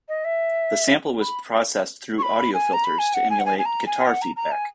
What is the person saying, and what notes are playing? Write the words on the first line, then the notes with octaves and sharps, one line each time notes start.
The sample was processed through audio filters to emulate guitar feedback.
D#5
E5
B5
C#6
B5
G#5
A#5
B5
G#5
F#5
G#5
F#5
G#5
G#5
A#5
G#5
F#5
A#5
A#5
G#5